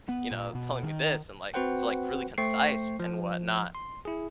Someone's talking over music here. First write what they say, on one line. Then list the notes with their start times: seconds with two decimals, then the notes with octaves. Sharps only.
you know, telling me this and, like, it's, like, really concise and whatnot.
0.09 B3
0.31 A#2
0.55 B2
0.83 D#3
1.54 C4 F#4 B4 C5 F#5 G5
2.38 A3 C5 G5 C#6 C7
3.00 F3
3.75 C6
4.05 E4 G#4